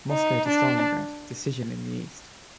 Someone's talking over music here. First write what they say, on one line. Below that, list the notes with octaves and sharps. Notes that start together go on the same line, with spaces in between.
"Moscow to Stalingrad: Decision in the East".
D#4
D4